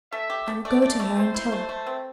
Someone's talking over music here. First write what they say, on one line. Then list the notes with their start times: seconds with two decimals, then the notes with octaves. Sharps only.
'I will go to her, and tell her.
0.12 A3 E5
0.30 G4
0.48 A3
0.65 A3 D5
0.82 A3
1.00 A3
1.17 C4 C5
1.34 E4
1.52 A3
1.69 A3
1.86 C4